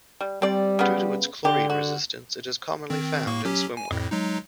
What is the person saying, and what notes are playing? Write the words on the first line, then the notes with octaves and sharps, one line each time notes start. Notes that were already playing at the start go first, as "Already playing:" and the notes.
Due to its chlorine resistance it is commonly found in swimwear.
G3
G3 C4 D5
C#3 B3
D3 G4
F#4
D#3 C4
A2 A#3 C#6
F#3 C#4 G4
G#5
F2 A2
F#3 G#3 D#4